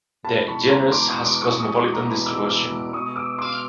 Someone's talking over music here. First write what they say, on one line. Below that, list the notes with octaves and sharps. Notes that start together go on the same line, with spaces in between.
The genus has cosmopolitan distribution.
E2 B2 G#3 B3 A5 B5
B5 C#6
A#5 C6
C6 D6
C#6 D#6
C6 D6
C#6 D#6
C#6 D#6
C6 D6
A#5 C6
A5 B5
D6 E6
D6 E6
B2 G#3 B3 C#6 D#6
D6 E6
C6 D6